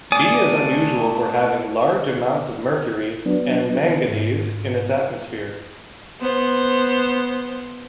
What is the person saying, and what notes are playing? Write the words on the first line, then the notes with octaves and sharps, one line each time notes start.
B is unusual for having large amounts of mercury and manganese in its atmosphere.
A3 D5 G#5 D#6
F#3 B3 D4
G#2
B3 C5